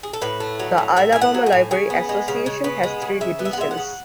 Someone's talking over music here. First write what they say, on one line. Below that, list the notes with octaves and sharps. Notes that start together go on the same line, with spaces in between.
The Alabama Library Association has three divisions.
G#4
A4
A2 B4
A3
F#3
A2
A2 E5
A3 G#5
F#5
F#3
G#5
A2
C#3 G#5
B3
G#3
C#3
C#3
B3
G#3
C#3
C#3 E5
B3
E5
F#5
G#3 E5
F#5
C#3